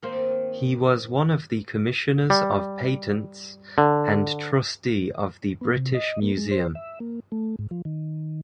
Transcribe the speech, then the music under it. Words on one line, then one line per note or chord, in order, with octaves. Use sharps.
He was one of the commissioners of patents, and trustee of the British Museum.
D#3 A#3 C4
G3
D3
B3
C3
D#5
A#3
G#3
C5
E5
A#3
A3
G#2
F3
D#3